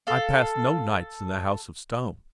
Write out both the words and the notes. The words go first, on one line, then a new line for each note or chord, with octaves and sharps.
"I passed no nights in the House of Stone."
A4 F5